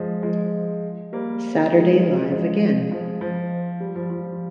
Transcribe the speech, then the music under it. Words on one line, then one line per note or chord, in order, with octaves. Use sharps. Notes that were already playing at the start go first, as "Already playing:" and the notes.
Saturday Live Again!
Already playing: F3 G#3
F3 G#3
G3 A#3
F3 G#3
F3 G#3
F3 G#3
F3
G3
F3
F3